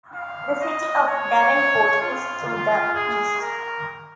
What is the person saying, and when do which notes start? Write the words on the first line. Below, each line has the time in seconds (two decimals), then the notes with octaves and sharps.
The city of Davenport is to the east.
0.15 F5
0.61 D#5
1.08 C#5
2.01 F4
2.48 F4
2.95 G#4
3.41 A#4